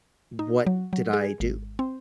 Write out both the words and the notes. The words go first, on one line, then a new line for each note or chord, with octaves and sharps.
what did I do?
D#4
F#3
F#3
G#4
G#1
C4